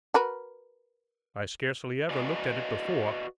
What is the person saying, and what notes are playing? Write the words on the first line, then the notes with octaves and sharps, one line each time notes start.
'I scarcely ever looked at it before.
F#4 A#4 B4
F#4 B4 D5 D#5 F5 G#5